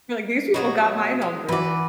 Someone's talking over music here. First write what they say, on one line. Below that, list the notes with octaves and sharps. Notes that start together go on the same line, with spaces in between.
You were like, "These people got my number."
B2 F#3 F#4 D#5
G#3
E3 F#4 B4 D5